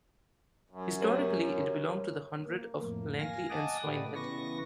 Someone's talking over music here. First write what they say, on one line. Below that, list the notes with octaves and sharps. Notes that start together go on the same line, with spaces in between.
Historically it belonged to the Hundred of Langley and Swinehead.
F#2
G4 A#4 C#5
A#3
F2 A2 A#3
F5 G#5 A#6
D#5 F#5 G#5 A5 D6 D#6
A2 A3 G4 B4 D5
C#3 E3 B3 B4 C#6 A#6